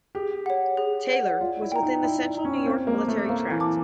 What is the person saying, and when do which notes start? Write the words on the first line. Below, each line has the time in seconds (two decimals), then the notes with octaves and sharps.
Taylor was within the Central New York Military Tract.
0.15 G4 G#4
0.46 C#5 F#5
0.77 G#4
1.09 C#5 F#5
1.41 F4 D5
1.62 E4
1.72 G5 A#5
1.83 D#4
2.03 E4 D5
2.35 G5 A#5
2.45 C#4
2.66 C4 F5
2.87 A#3
2.98 A5 D6
3.08 A3
3.29 A#3 F5
3.50 E3
3.60 A5 D6